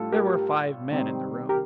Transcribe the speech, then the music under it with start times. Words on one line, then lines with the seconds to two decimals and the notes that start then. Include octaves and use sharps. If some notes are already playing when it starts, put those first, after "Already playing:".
There were five men in the room.
Already playing: A2 G3 D4 F4 A4
0.12 G4 A#4
0.91 C3 D#3 G3 C4 D#4
1.49 G4 A#4